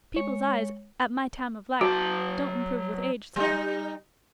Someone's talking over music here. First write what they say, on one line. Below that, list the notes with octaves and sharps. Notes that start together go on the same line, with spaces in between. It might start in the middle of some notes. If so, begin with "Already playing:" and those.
'People's eyes, at my time of life, don't improve with age, sir.'
G#3 C#5
F#3 F#4 A5
G3 D#4